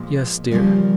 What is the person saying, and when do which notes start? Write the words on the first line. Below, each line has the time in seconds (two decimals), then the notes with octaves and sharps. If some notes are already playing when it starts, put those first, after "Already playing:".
"Yes, dear!"
Already playing: A#2 F3 G#3
0.51 E2 C#3 F3 G3 A#3